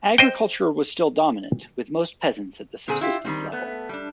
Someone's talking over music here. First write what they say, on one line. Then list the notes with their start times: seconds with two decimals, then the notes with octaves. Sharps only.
Agriculture was still dominant, with most peasants at the subsistence level.
0.18 C5 D#5 G5
2.88 A#2 D3 C4 G#4
3.01 E4 F4 G4
3.25 D#3 G3 C4
3.52 A3 B3
3.89 G3 D4